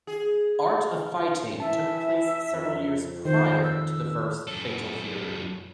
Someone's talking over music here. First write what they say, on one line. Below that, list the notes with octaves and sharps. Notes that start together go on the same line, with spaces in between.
"Art of Fighting" took place several years prior to the first "Fatal Fury".
G#4
E3 E5 A5
F2
D#3 C5
E6
F#2 A4